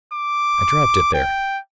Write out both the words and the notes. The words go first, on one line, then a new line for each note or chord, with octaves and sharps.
"I dropped it there."
D6
G5